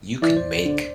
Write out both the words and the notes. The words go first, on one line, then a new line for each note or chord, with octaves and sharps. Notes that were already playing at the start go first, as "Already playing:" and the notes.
you could make
E3 D5
C5
D3